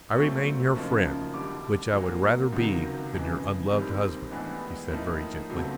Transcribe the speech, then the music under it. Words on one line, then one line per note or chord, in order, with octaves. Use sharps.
"I remain your friend, which I would rather be than your unloved husband," he said very gently.
A#2 F#3 A3 C4 C#6
F#2 C#3 F3 A#3 D#4
D#2 D3 G3 D6
A#2 F#3 A#3
C#2 C3 D#3 F#3
F2 C#3 E3 G#3
D#2 D#3 G3 C4
A2 E3 G#3 B3 D4
A2 F3 A#3 D#4
C#2 B2 F#3 A3 C4